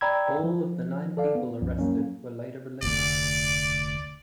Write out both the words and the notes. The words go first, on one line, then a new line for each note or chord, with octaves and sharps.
All of the nine people arrested were later released.
D5 G5 A#5 B5 E6 G#6
F3
A4 D5 F5
B3
C2 F#2 F3
F#3 A#3 C#4
F1 D2 D5